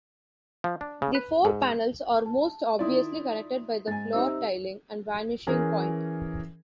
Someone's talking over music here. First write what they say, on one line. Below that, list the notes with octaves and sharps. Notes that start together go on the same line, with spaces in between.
The four panels are most obviously connected by the floor tiling and vanishing point.
F3
D4
C#3
B4
G#2
A5
D#3 E4 F4 D5 C6 D#6
G#2 G#5 A6
C4 D#4 G4 E5 E6
E3 C#4 G#4 A#4